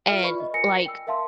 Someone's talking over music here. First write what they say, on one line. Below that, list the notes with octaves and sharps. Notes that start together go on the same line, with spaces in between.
and, like,
F4 A4 E5 F6
F4 B4 D5 B5 C#6
D#5
A#4 G#5 A#6 C#7
G5 E6
A#4 E5 F5 A5 C6